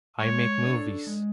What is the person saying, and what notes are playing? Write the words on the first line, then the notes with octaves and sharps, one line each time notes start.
I make movies.
G#3 C#5
D4 A4 D5
G#3